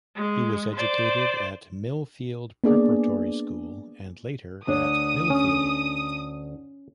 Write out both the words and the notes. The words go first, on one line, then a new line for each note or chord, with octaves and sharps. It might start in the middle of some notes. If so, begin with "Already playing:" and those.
He was educated at Millfield Preparatory School and later at Millfield.
G#3
C5 D5
A#3 B3 D4 G#4 D5
D2 D4 C#5 D#6
C#4